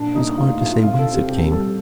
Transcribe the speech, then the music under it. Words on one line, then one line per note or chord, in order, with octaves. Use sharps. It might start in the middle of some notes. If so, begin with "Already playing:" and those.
"It was hard to say whence it came."
Already playing: A#2 D4
A#2 D#4
A3 F4
D#4
A3 F4
F4
C3 F4
A4
C3
G4
C3 G4
G3 A4